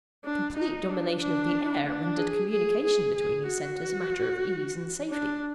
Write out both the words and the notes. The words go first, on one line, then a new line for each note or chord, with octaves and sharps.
Complete domination of the air rendered communication between these centers a matter of ease and safety.
D4
D#4
D4
D4
D4
G#4
G#4
G#4
G#4
F#4
D4